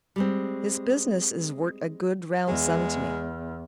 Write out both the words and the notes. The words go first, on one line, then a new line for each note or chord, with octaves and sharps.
His business is worth a good, round sum to me.
G3 G#3 C4
E2 G#3